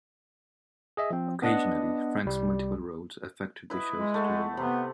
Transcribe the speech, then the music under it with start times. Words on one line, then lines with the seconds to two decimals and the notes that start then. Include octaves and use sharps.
Occasionally, Frank's multiple roles affected the show's storyline.
0.97 G#4 D#5 E5
1.10 F3 C4
1.42 B3 D4 D#5 F#5
2.26 C2 G3
3.70 E4 B4 D#5
3.92 G#3
4.14 A3 F#5
4.57 C3 B3